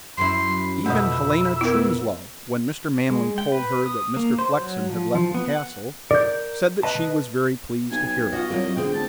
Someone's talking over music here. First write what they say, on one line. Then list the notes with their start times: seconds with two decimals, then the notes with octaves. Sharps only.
Even Helena Truslove, when Mr. Manley told her that Mr. Flexen had left the Castle, said that she was very pleased to hear it.
0.18 F#2 E4 B5 C6
0.86 F2 B2 G#3 D#5 E5
1.61 B3 E4 A#4
3.10 G#3
3.38 G5
3.52 B4
3.86 D#6
4.17 A#3
4.39 C5
4.60 F#3
4.90 F3
5.15 F3
5.34 B3
5.49 F#5
6.11 A#4 D5 G6
6.83 B4 D#5 A5
7.91 B1 G#5
8.33 F4 F#4 D#5
8.50 C2 F#3 A#3
8.76 E1 D3 C4 G#4 G5
8.94 D1 A5